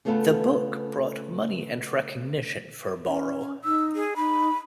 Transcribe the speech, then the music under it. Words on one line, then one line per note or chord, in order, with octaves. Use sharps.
The book brought money and recognition for Borrow.
C#3 A3 B3 F4 A4 B4
C#4
D#4 E6
G#4
D#4 B5